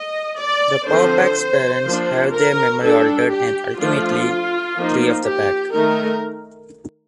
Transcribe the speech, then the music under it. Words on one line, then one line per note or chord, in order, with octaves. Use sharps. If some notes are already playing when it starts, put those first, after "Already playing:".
The Power Pack's parents have their memory altered and ultimately, three of the Pack.
Already playing: D#5
D5
D3 F3 C4 C5
F3 A#3 D4
A#4
G3 D4 A4
G4
F3 A3 D4 F4
F3 A#3 D#4
G4
D#3 A3 D#4 A#4